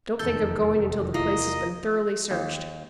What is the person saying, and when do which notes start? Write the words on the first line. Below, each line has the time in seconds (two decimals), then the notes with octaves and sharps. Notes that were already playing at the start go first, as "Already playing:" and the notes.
Don't think of going until the place has been thoroughly searched.
0.19 F1 E2 D#3 A4 G6
1.14 A#3 E4 F4 D#5
2.31 D#2